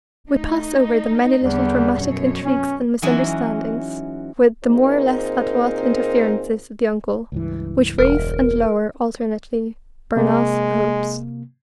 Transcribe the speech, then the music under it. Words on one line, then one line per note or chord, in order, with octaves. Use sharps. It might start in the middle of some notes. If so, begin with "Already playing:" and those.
We pass over the many little dramatic intrigues and misunderstandings, with the more or less adroit interferences of the uncle, which raise and lower alternately Bernard's hopes.
A3 D#4
E2 D3 G3 B3
F#2 B2 C#5
C#4
E3 F#3 G#3 C#4 D#4 F#4
A#2 C4 D#4 G#4 A#4 C5
C#2 G2 E3
E1 A#4
C3 G#3 A#3